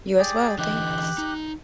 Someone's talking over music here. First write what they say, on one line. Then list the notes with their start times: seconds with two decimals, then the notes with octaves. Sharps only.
You as well, thanks.
0.18 G4 G#4 D5
0.58 D3 E3 G4 D#5 F#6
1.18 D#4